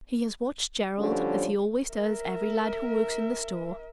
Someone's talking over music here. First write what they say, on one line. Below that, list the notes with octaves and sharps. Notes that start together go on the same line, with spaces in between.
He has watched Gerald, as he always does every lad who works in the store.
D2 D3 F3 G3 C#4 C#5
A#4 E5